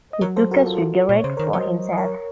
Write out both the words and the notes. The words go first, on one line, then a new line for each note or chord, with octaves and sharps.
He took a cigarette for himself.
D#5
F#3 A#4 C#5
A4 C5
F#4 A#4
F4 A4
A#2 C#5
C#3 C5
D#3 A#4 C#5
F#3 C5 D#5
D#5
A#4 C#5